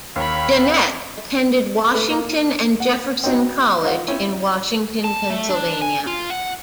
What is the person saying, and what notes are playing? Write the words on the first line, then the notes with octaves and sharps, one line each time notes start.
Jeannette attended Washington and Jefferson College, in Washington, Pennsylvania.
D#2 C#5 B5
A3 A4 B4
A#3
F#5
C4 C#4 D#4 F#4
D#4 F4 C5 F#5
C4 C#4 E4
A5
A3
D4
G#5
F4
F#5